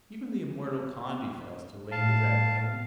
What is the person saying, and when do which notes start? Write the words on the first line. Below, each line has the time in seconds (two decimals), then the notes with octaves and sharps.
Even the immortal Condy fails to lay the dread thing.
1.92 A2 F5 A5